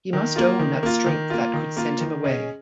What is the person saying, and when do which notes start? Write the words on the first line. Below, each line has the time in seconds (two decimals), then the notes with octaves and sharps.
He must own that strength that could send him away.
0.13 D#3
0.36 A#3 F4
0.59 D#3
0.83 A#3 F4
1.06 D#3
1.30 A#3 F4
1.53 D#3
1.77 A#3 F4
2.01 D#3
2.24 C#4 G#4 D#5